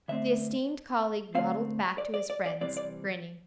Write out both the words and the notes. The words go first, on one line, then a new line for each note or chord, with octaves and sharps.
The esteemed colleague waddled back to his friends, grinning.
D3 A3 C4 E5
D3 A3 C4 F5
D5
D5
D5
D5
C3 E3 G3 C4 D5
D5